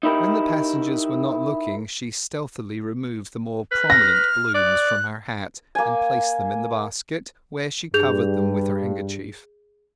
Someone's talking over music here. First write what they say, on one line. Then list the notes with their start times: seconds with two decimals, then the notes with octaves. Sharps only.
When the passengers were not looking she stealthily removed the more prominent blooms from her hat and placed them in the basket, where she covered them with her handkerchief.
0.03 D#4 E4 G4 A#4
3.71 B4 F6
3.90 F6 A#6
4.55 D5 F#6
5.75 A#3 G#5
7.94 G2 G#4 G6 F7